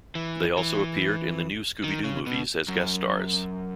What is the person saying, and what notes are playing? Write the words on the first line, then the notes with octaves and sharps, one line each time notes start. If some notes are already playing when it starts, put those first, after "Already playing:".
They also appeared in The New Scooby-Doo Movies as guest stars.
E3
E3
D#3
C#3
B2
F#2